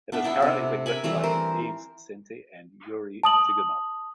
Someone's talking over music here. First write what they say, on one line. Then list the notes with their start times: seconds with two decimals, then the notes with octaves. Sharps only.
It is currently being written by Yves Sente and Youri Jigounov.
0.12 B3 D4 E5
0.24 B3 D4 E4 D5
0.40 C3 A4
0.86 A#4 E5 G#5 B5
1.04 E3 G3 A3 C4
1.23 A#4 C5
3.23 A5 D#6 F#7